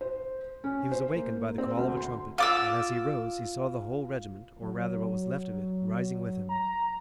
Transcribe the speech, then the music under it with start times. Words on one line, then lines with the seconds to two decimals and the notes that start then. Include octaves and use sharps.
He was awakened by the call of a trumpet, and, as he rose, he saw the whole regiment or rather, what was left of it, rising with him.
0.01 C5
0.64 C#4
0.92 C5
1.16 A#3
1.58 C4
1.77 D2
1.97 C6
2.38 F4 D6 E6
4.61 F#3
6.49 A#5